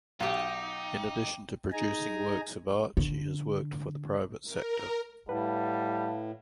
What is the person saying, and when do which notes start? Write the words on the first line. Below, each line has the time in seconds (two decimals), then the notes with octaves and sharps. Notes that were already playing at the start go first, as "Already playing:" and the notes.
In addition to producing works of art she has worked for the private sector.
0.20 B1 D#4 F4 G4 G5 D6
1.73 D#4 G#4 G#5 A#5
2.97 D3
4.46 A#4
5.29 A2 G3 B4 F5 F#5 A5